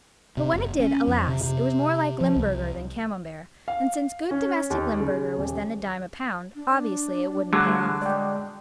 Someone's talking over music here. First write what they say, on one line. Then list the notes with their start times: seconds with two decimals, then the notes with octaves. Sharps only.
But when it did, alas, it was more like Limburger than Camembert, and since good domestic Limburger was then a dime a pound, obviously it wouldn't pay off.
0.37 C3
0.54 F#1
0.80 C#4
1.07 F2
1.27 C3
1.43 C3
2.21 F3
2.36 C2
3.68 F5
4.31 C#4
4.70 D#2
5.00 C#3
5.38 D#1
6.55 D4
7.53 D3 F#3 G3 A3 G#4
8.02 G#3 D5 G5